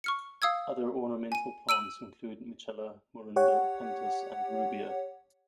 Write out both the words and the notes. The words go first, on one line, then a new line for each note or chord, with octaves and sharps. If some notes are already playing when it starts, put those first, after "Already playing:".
Other ornamental plants include "Mitchella", "Morinda", "Pentas", and "Rubia".
C#6 F6 C#7
F5 D#6 E6 G#6
G#5 D#7
E6 D7 D#7 F#7
G4 C#5 F#5